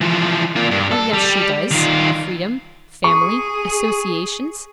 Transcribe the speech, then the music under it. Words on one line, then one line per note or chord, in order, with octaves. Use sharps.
'Oh, yes she does: freedom, family, associations.'
E3 F3
A#3 F4
G2
A4
G3
D#3 F4
G#4 C#6